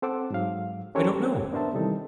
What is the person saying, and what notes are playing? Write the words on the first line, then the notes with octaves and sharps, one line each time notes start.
"I don't know."
C4 A4 C5 F#5 D6 E6
G#2 F#3 F5
C#4 G4 A4 A#4 C5 C#5
B3 D4 A#4 C5 E5 A5
C3 D#3 E3 G3 D#4 A4